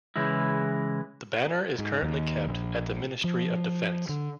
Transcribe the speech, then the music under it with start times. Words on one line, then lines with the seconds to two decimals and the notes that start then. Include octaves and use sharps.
The banner is currently kept at the Ministry of Defense.
0.16 C#3 E3 G#3 E4
1.78 G#2
2.02 D#2
2.47 A#1
3.24 F3
4.09 D3